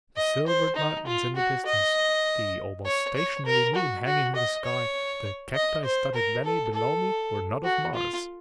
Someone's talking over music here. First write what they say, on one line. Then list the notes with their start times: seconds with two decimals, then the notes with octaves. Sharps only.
The silvered mountains in the distance, the almost stationary moon hanging in the sky, the cacti-studded valley below me were not of Mars.
0.17 D#5
0.47 C5
0.76 D#4
1.06 F4
1.36 F#4
1.65 D#5
2.86 C#5
3.16 C#5
3.45 A#4
3.75 F#4
4.05 F#4
4.35 D#5
4.65 C#5
5.54 D#5
5.85 C5
6.14 A#4
6.45 A4
6.74 A4
7.64 F#4
7.94 F4